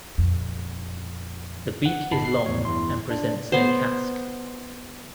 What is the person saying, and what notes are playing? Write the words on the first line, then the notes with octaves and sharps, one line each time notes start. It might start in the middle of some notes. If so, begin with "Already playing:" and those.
The beak is long and presents no casque.
F2 A#2
F#5
G1 D#4 A5 B5 C7
C7
E2 A2 C#5
E2 G2 E4 C6
D4
B3 C5